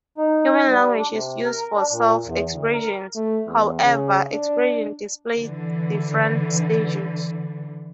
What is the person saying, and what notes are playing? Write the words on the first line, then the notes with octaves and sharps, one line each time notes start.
Human language is used for self-expression; however, expression displays different stages.
D#4
G3
D4
C3
A#4
D4
A#2
E2
D2
A#4
A3
E2
C#3
D4
D3 E3